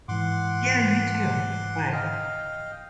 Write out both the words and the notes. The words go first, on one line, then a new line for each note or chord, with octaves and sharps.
Yeah, you too. Bye.
G#2 E3 F#5 C6 D6
D#5 F5 G5